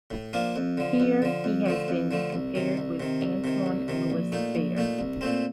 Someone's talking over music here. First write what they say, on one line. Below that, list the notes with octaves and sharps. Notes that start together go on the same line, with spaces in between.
Here he has been compared with Antoine-Louis Barye.
A2
F3 A#3 D4
F2
D3 F3
F2
D3 F3
F2
D3 F3 A3
F2
D3 F3 A3
C2
C3 D#3
C2
C3 D#3
C2
C3 D#3
C2
C3 D#3
A#1
A#2 A3 D#4
A#1
A#2 A3 D#4
C2
A#2 A3 C4